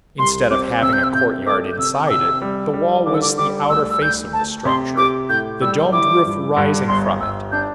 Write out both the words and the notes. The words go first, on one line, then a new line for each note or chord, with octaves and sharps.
Instead of having a courtyard inside it, the wall was the outer face of the structure, the domed roof rising from it.
C2 C6
C4 D6
C3 E6
G6
E6
C3 G6
A3 D6
G6
C3 E6
D6
C3 E6
G3
G3
D3 D6
E6
D6
G3 D6
D2 E6
E6
D2 G6
D2 A5
C3 C6
G4 D6
A2 G6
G3 E6
E4 D6
G2
G2
G1 C6
G1 E6
D4 G6